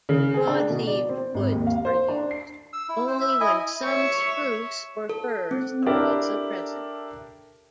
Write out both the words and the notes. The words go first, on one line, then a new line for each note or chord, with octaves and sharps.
Broad-leaved woods are used, only when some spruce or firs are also present.
C#3
G#4
D4
B2
D5
C4
G#1
D#2
F5
C5
D4
C7
E6
E4
C5
E5
E4 D#5 G#5
C#5 E5
A4
C4
D4 E4 G4 A4 A#4 C#5